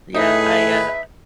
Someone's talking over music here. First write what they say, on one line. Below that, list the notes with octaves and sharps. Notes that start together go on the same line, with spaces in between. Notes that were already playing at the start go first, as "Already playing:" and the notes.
Yeah. I, uh,
A2 D#4 G#4 B4 E5